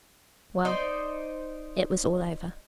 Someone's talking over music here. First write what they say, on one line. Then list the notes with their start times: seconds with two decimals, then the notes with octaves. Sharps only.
Well; it was all over....
0.65 D#4 C5 D5